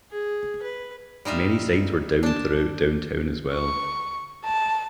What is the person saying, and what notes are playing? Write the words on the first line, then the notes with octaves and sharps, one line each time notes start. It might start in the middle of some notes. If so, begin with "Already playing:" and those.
Many signs were downed throughout downtown as well.
G#4
B4
G3 D#4 F4 E5
D4 A5
C#6
A5